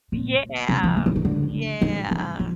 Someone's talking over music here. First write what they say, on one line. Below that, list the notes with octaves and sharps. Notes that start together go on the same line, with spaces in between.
Yeah. Yeah.
A#2
C3
E3
F3
E3
D#3
D3
D#3
E3
F3